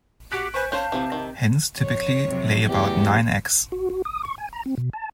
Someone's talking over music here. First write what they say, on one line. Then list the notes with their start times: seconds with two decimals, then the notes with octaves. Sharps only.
Hens typically lay about nine eggs.
0.32 F#4 G4 F#6 B6 D7
0.54 B4 C5 G#5 C#6
0.72 C#4 C5 C#5 F5 A5 G6
0.92 C3 E3 F3
1.12 D#3
1.78 F2 C#5
2.24 F2 C3 F#3
2.68 E2 C#3 F#3 A3 G4
3.72 F#4
3.90 F#4
4.05 D#6
4.23 C#6
4.38 G#5
4.53 A#5
4.66 C4
4.78 B2
4.93 A5